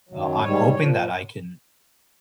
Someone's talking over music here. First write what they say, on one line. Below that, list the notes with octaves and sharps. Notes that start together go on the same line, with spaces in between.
uh, I'm hoping that I can
F#2 D#3 F#3
G#2 D#3 G3 C#5
A#2 F3